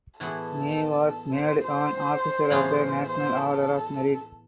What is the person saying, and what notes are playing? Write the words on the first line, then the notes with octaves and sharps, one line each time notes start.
Nay was made an Officier of the National Order of Merit.
A2 E3 B3 E4 G#4 A4
C5
C5
A2 E3 B3 F4 G#4
C5
A4